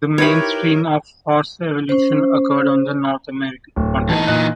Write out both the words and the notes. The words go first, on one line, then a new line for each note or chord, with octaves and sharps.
The main stream of horse evolution occurred on the North American continent.
D#4 E4 G4 A#4 B4 C#5 B5
C#4 C5
D1
E3 D#4 A5
A#2 D#5 F#6